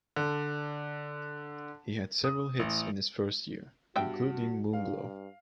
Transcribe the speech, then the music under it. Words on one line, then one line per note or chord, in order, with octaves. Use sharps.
He had several hits in his first year, including Moonglow.
D3
D#6
A1
G2 B3 F#4 E5 G5
G2 F5